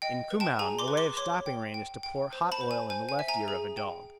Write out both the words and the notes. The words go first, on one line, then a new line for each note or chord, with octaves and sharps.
In Kumaon a way of stopping rain is to pour hot oil in the left ear of a dog.
D#5 G5
B4
G5 A5
G#4 G#5 A#5
C6 D6
B4
C6 D6
C#5 C6 D6
G5
G5
G5
C5
A5 B5
C5
G#5
C5 G#5
G#5
E5
G#5 A#5
G#4
G5